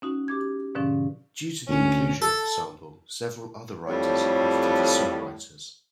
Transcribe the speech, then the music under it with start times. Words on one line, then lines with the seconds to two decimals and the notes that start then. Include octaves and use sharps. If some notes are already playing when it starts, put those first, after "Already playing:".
Due to the inclusion of the sample, several other writers are credited as songwriters.
0.02 C#4 D#4 F#4
0.28 G4 D6 G#6
0.75 G#2 B2 D3 F3 C#4
1.68 D2 C#4
2.22 A4
3.87 F2 A2 G3 C#5